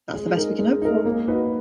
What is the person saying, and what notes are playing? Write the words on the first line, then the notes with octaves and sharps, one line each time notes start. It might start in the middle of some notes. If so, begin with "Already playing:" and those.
That's the best we can hope for.
G#3
D#4 A#4
G#3
D#4 A#4
A#3
D#4 F#4 B4